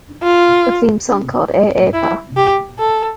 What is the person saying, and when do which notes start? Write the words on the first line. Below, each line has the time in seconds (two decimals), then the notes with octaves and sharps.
A theme song called Ei Ei Puh!
0.23 F4
1.94 E4
2.37 G4
2.79 A4